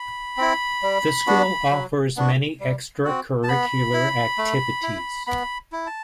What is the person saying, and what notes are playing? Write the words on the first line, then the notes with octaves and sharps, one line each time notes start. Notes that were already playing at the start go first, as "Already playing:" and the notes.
The school offers many extracurricular activities.
Already playing: B5
C4 E4
G3
B3 D4 F#4
F#3
B3 D4 F#4
G3
C4 F#4
A5
B3 B5
E4
A3
E4
B3 B5
E4
A5